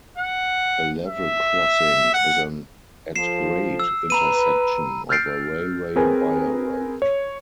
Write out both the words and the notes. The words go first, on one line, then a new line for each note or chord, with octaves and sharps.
A level crossing is an at-grade intersection of a railway by a road.
F#5
E5
F#5
F3 A4 C7 E7
E6
B4 A#5 B5 D#7
E6 F6 G6 A6 C7 D7
C4 G#4 A#4 B4 G#5
C#5